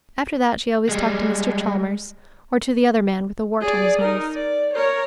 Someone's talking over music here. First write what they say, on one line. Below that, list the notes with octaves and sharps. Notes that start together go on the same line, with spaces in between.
After that she always talked to Mr. Chalmers, or to the other man with a wart on his nose.
G3 G#3
G#4 D5
D#4 A#4
D5
A#4 C#5